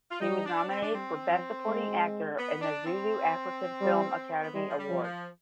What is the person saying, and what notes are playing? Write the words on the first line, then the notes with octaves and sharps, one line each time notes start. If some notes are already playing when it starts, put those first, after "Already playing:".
She was nominated for Best Supporting Actor in the Zulu African Film Academy Awards.
F4
G3 D#4
D4
C4
D4
G3 C4
F3
G#3
B3
D4
C4
G3
B3
G3 G#3
F3
G3
F3
F3